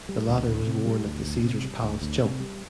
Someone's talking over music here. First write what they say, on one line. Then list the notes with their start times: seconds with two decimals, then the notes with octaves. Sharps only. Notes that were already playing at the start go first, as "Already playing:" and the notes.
The latter was worn at the Caesars Palace jump.
0.09 G3
0.29 D2
0.48 D2
0.67 C3
0.86 G3
1.05 D2
1.25 D2
1.44 C3
1.63 G3
1.83 D2
2.02 D2
2.21 C3
2.40 G3